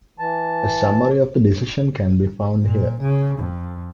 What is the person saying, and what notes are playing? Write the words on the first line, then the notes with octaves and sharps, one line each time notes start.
A summary of the decision can be found here.
E3 A5
A#2
C#3
F2